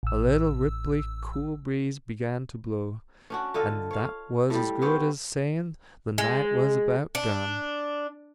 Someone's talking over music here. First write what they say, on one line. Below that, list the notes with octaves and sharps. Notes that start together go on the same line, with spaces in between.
A little ripply, cool breeze begun to blow, and that was as good as saying the night was about done.
A1 E6
C#4 D4 F#4
D3 F4 A4 D#5
C#5 F5
A2 G3
B3 C4 G4 C#5
G#3
D4